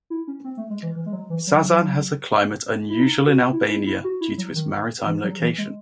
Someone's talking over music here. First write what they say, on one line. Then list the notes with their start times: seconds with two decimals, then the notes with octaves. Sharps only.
Sazan has a climate unusual in Albania due to its maritime location.
0.10 E4
0.28 C#4
0.44 C4
0.57 A3
0.70 G#3
0.82 E3
0.96 E3
1.06 G#3
1.13 F#3
1.30 E3
1.47 F#3
2.90 E4
3.01 D#4
3.26 F#4
3.53 E4
3.69 E4
3.86 E4
4.04 F#4
4.21 E4
4.38 F#3
4.55 D#3
5.06 E3
5.23 F#3
5.40 E3
5.58 G#3